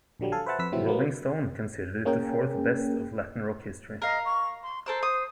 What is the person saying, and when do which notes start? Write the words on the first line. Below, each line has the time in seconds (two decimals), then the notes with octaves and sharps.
"Rolling Stone" considered it the fourth-best of Latin rock history.
0.20 A#1 D3 F#3 G3
0.32 A4 F5 G#5
0.46 B4 C5 E5 F#5 A5
0.59 F2 B4 E6 B6
0.72 A2 C3 E3 F#3 C4 E4
0.86 F#3 A#3 B3
2.05 A#3 C#4 G#4 A#4 G5
4.02 A#4 D#5 F5
4.25 C#6
4.62 C6
4.86 A4 A#4 C5 E6
5.03 D#6